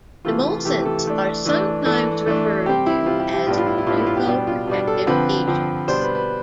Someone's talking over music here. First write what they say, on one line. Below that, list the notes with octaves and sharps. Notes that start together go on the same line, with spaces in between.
Demulcents are sometimes referred to as mucoprotective agents.
C3 E3 A3 F4
C3 E3 A3 G4
A4
E3 A3 D4
E3 A3 D4
E3 A3 D4 A4
E3 A3 D4
C3 G3 C4 G4
E4
C3 G3 C4 F4
G4
G4
A2 G3 B3 D4 F4
F4
E4
E4
A2 G3 B3 D4 F4
E4
F4
G4
B2 G3 D4 G4
F4
B2 G3 D4
A4
D3 F3 C4 B4
D3 F3 C4
B2 G3 D4 C5
B4
B4